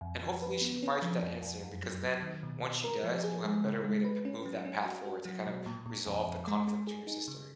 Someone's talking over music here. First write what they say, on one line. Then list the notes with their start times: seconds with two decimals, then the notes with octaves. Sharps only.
And, hopefully, she provides you that answer because then, once she does, you'll have a better way to pe move that path forward to kind of resolve the conflict between your sister.
0.01 F2
0.22 F3
0.42 B4
0.61 B3
0.83 C#4
1.02 F3
1.22 F2
1.43 F2
1.62 F#2
1.84 F#3
2.04 F#3
2.23 D#3
2.43 B2
2.63 B2
2.84 A#4
3.04 F3
3.24 G#4
3.45 G#3
3.65 C#3
3.84 G#3
4.04 B4
4.25 C#4
4.45 F#3
4.65 C#4
4.85 F#4
5.05 F#4
5.25 F#3
5.46 B2
5.66 A#2
5.86 A#2
6.06 F2
6.27 F2
6.47 G#3
6.68 G#3
6.87 G#4
7.07 D#4
7.28 C#3